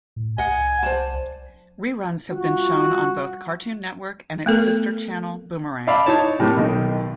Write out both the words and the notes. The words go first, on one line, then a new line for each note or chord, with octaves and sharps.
Reruns have been shown on both Cartoon Network and its sister channel Boomerang.
A2
C2 D#5 F#5 G#5
C5 D5 A5
G3 F4 F#4
A3 B3 A4 A#4
D5 E5 F5 A5 B5 D6
D#4 E4 C#5 A5
A2 C3 G3 A#3
B1 D#3